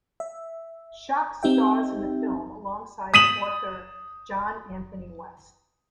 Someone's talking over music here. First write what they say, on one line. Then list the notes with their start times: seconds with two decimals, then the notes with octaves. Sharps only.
Schoch stars in the film alongside author John Anthony West.
0.20 E5
1.43 C4 D#4 G4 E5 G5
3.14 D#6 B6 D#7 E7 F#7